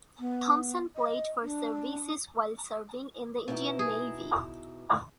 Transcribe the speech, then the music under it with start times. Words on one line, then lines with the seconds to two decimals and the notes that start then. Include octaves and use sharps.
Thomson played for Services while serving in the Indian Navy.
0.19 B3
0.96 D#5
1.43 D4
3.48 B2 D#4 E4
3.79 G#4